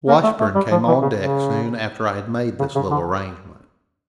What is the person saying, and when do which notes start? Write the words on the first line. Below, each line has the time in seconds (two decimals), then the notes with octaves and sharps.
Washburn came on deck soon after I had made this little arrangement.
0.08 A#3
0.23 A3
0.39 A3
0.55 G3
0.71 F3
0.87 E3
1.02 C#3
1.18 C#3
2.59 C#3
2.75 C#3
2.91 D3